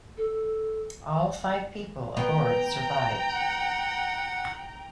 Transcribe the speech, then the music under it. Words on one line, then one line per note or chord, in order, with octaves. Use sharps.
All five people aboard survived.
A4
B3 G5 A#5
F#5